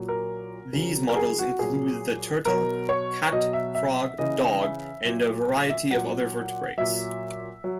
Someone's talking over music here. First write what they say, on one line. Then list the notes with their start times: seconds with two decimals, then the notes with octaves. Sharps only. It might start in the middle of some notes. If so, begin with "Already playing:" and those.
These models include the turtle, cat, frog, dog, and a variety of other vertebrates.
Already playing: A#2 F#3
0.08 A#4
0.73 C#3 F#3
1.09 A#4
1.16 G#4
1.39 F#4
1.59 A#2 F#3 G#4
2.45 B2 F#3 A#4
2.89 C#5
3.32 B2 F#3 D#5
3.53 E5
3.75 E5
4.18 C#3 E3 D#5
4.61 E5
5.05 A#2 F#3
5.70 E5
5.91 A#2 F#3 F#5
6.77 A#2 F#3 E5
7.64 F#3